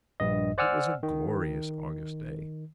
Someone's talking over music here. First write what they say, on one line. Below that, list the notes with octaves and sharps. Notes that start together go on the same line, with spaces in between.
It was a glorious August day.
A#1 G2 D#5
C5 D5 F#5 G#5 E6 F6
D#3